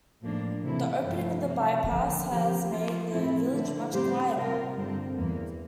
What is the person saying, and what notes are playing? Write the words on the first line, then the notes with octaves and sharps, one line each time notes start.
The opening of the bypass has made the village much quieter.
A2 F3 A#3 D4
C3 E3 A3 E4
G2 F3 A3
C3 G3 A#3
D3 F3 A#3
F3 C4 G4
F3 A#3 F4
A2 F3 C4 E4
D3 A3 E4
A2 G3 C4 G4 C5
C3 G3 A#3 F4 A#4
G2 D3 G3 C4
E2 E3 A#3